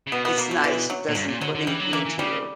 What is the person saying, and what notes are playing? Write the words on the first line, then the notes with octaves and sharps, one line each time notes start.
it's nice, it doesn't put anything into your
C#3
B2 B3
B3
A#3
F#3
E3
F#3
A#2
G2 F#3
A#2
D3 F#3
D3
E3 G3
F#3
E3 A#3
E3
C#3 G3